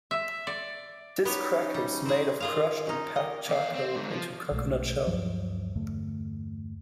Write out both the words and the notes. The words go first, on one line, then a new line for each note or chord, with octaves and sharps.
This cracker is made of Crushed and packed charcoal into Coconut shell.
E5
D5
B3 C#4 D#4 G4 C#5
G3
C4 G#4
D#3 F4 G#4 F5
C#4 D#4
G4 A#4 D#5
E2 F5
C4
G#2 D3
F3
B1 B2 G#3 A3
D2 G2 F3 F#3
E2 G2 D3 A3